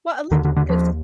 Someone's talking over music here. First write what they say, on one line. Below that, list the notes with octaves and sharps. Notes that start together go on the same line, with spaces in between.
Well, I like it because,
D#2 D3 D#3
D3
D3
F3